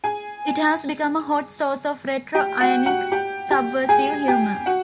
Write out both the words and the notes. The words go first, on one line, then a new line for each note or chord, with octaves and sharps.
It has become a hot source of retro-ironic-subversive humor.
G#4 G#5
G4 G5
F#4 F#5
F#4 F#5
G4 G5
G4 G5
G#4 G#5
G4 G5
F#4 F#5